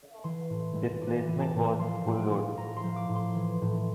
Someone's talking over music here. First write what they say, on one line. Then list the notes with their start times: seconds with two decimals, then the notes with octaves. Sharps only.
Displacement was full load.
0.24 E3 C6
0.50 A2
0.75 E3
1.01 A2 D6
1.27 E3
1.40 A5
1.54 A2
1.79 F3 C6
2.05 A2
2.31 F3
2.57 A2 A#5
2.77 C6
2.83 F3
2.96 D6
3.09 A2
3.15 C6
3.35 E3
3.62 A2